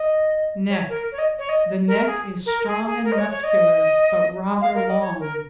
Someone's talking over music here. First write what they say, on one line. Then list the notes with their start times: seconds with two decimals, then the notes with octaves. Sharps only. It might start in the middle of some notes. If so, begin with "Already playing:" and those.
NECK--The neck is strong and muscular, but rather long.
Already playing: D#5
0.70 C#5
0.89 A#4
1.12 C#5
1.18 D#5
1.38 C#5
1.49 D#5
1.87 A#4
2.06 G#4
2.46 A#4
2.66 G#4
2.86 G#4
3.04 A#4
3.12 D#5
3.18 C#5
3.31 C#5
3.43 D#5
4.61 F5
4.74 A#4
4.87 D#5
5.01 C#5
5.19 A#4